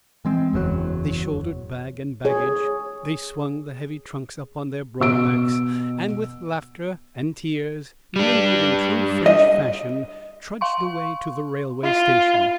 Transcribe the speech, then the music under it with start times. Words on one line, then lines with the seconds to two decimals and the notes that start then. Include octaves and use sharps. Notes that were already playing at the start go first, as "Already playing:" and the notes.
They shouldered bag and baggage; they swung the heavy trunks up on their broad backs, and with laughter and tears mingled in true French fashion, trudged away to the railway station.
0.25 E3 G#3 C4
0.53 F#1 E2 A#2 F#3
2.25 G#4 C#5
5.00 B2 E6 D7
8.16 G3 D4
9.26 D#5
10.61 F5 C6 C#6
11.83 F4